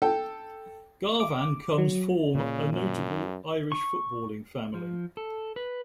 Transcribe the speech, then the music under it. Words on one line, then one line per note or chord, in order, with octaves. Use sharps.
Garvan comes form a notable Irish footballing family.
A4 G5
D6
F#3
A#2 C#3
F#2
C#6
F3
A4
B4